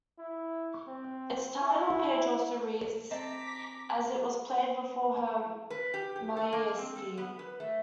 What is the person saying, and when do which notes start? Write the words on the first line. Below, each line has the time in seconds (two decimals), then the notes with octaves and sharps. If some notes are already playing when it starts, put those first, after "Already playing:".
Its title page also reads: As it was played before her Maiestie.
0.18 E4
0.88 C4
1.62 E4
3.11 C4 D#5 A5 A#5 D6 B6
5.70 B4
5.94 G4
6.16 G4
6.37 A4
6.52 A#3
6.78 C4
6.96 A4
7.18 B3
7.39 B4
7.60 A3